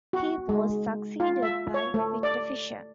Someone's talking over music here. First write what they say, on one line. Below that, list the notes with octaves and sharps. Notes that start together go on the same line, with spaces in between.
He was succeeded by Victor Fisher.
F#4
G#3
F4
E5
C#5
A3
D5